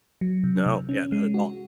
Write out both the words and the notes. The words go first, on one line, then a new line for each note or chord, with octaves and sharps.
No, yeah, not at all.
F#3
C3
C3
C#4
G#3
F#4